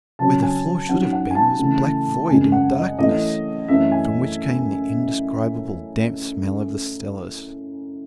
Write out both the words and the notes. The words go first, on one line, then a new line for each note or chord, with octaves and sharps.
Where the floor should have been was black void and darkness, from which came the indescribable, damp smell of the cellars.
C#3 F#3 C#4 A5
G#5
G#2 F#3 C#4 F#5
F#5
G#5
A5
C#3 E3 A3
F#2 C#3 G#3 G#5
F#5
D#5
A2 E3 A3 C#4 D#5
F#2 E3 A3 C#4 E5
G#5